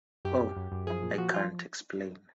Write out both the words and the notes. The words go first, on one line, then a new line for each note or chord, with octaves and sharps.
Oh, I can't explain.
F#2 G4
F#2
F#2
F#2
F3 G#4
A#2
F3 F#4
F3 F4